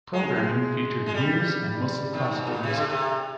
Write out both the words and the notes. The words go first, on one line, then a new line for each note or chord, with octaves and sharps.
Programming featured news and mostly classical music.
G#3
G#3
G3
D#3
G#2
A#2
C3
D3
C3